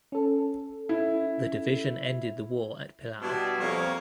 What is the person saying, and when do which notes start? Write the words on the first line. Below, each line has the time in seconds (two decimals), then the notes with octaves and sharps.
The division ended the war at Pillau.
0.12 C#4 A4
0.89 E4
3.21 B2 G3 D4 E4 G#5
3.60 F2 A#3 C#5